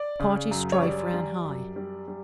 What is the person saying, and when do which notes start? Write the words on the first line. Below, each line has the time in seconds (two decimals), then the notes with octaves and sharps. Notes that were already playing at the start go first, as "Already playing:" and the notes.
Party strife ran high.
Already playing: D5
0.20 C#3
0.51 F#2
0.72 C#5
0.82 G3 D5
1.14 G3
1.45 F#2
1.76 G3
2.08 G3